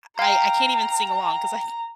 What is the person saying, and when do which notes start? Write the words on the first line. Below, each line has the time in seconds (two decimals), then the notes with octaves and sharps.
I I I can't even sing along 'cause I I
0.19 F5 G5 A#5